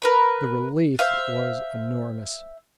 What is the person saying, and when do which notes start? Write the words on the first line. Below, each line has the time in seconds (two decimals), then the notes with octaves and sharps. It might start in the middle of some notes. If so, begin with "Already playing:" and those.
The relief was enormous.
0.02 A#4 B4 B5
0.99 C5 E5 F5